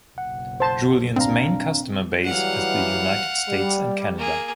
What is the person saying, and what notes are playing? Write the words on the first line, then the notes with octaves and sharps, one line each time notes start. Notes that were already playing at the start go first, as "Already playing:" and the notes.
Julien's main customer base is in the United States and Canada.
F#1 B1 F#5
C5 A5
C4 D4 F5 A#5
E3 F#3 G3 F5 F#5
G3
A#3 G#4